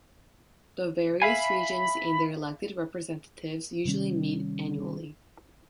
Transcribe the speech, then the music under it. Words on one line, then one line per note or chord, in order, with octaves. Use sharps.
The various regions and their elected representatives usually meet annually.
E5 F5 G#5 B5
C3 D#3 G3 C#4